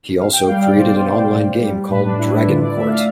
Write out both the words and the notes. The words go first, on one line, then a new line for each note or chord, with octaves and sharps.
He also created an online game called Dragon Court.
B2 F5
G5
G3 F5
D5
B2 C5
G3
A2
G3
A2 B4
D4
G3 E4
E4
D3 F4
D5
A3 E5
F5